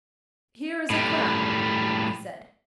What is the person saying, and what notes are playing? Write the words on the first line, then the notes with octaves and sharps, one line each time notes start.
"Here is a crown," he said.
A2 G3